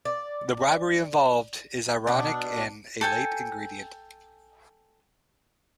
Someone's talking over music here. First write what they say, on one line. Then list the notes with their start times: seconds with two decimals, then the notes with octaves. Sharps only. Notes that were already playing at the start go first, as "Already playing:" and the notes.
The bribery involved is ironic and a late ingredient.
0.05 D5
2.07 B2 D4
3.01 A4 G5 G#5